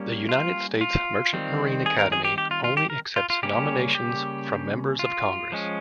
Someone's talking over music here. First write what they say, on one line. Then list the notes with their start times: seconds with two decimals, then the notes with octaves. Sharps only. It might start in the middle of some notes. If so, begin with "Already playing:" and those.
The United States Merchant Marine Academy only accepts nominations from members of Congress.
Already playing: G3 A#3 C#4
0.29 F4
0.81 F4
1.33 D#3 G3 C4
1.86 G#4
1.99 A#4
2.12 G#4
2.24 G4
2.38 G4
2.51 F4
2.64 F4
2.77 G4
2.90 A#4
3.16 F4
3.30 F4
3.43 C#3 G3 A#3 C#4 G4
3.95 G4
4.99 F4
5.52 F3 G#3 C#4